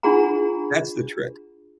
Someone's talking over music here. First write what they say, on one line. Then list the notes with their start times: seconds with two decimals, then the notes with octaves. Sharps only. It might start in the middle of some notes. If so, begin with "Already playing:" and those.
that's the trick.
0.03 D4 E4 F4 G#4 F#5 A#5